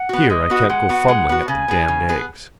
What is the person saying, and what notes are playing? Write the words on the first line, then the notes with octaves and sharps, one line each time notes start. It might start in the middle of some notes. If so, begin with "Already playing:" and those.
Here, I can't go fumbling at the damned eggs.
Already playing: F#5
B3 F#4
G#3 D#5
B3 F#4
G#3 F#5
B3 F#4
G#3
B3 F#4
C#3 G#5
B3 G#4
C#3
B3 G#4